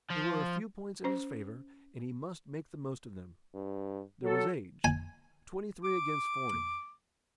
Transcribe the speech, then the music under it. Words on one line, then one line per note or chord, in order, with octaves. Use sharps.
There were a few points in his favour, and he must make the most of them. There was age--twenty-three against forty.
F3
C#4 C5
G2
F#3 A4
G#5
D6